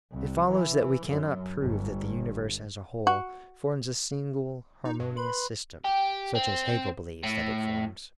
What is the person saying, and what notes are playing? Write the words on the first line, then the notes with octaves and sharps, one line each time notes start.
It follows that we cannot prove that the universe as a whole forms a single harmonious system such as Hegel believes that it forms.
C2
E3
F#2
G1
F#4
D#4
G2
B4 B5 C6
G4
C4
A2